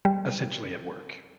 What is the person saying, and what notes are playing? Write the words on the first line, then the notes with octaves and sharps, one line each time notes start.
essentially at work.
G3